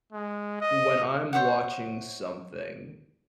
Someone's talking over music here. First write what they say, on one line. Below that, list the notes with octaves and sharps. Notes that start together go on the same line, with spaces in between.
when I'm watching something,
G#3
D#5
C5 C#5 E5 F#5